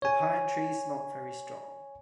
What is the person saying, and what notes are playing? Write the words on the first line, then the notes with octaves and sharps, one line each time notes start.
The pine-trees smelled very strong.
C#5 G#5